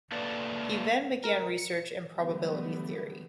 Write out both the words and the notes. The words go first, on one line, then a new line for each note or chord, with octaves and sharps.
He then began research in probability theory.
A3 A#3 A4 B4 D5
A#4
C#7
D3 E3 F#3 G3 A3 B3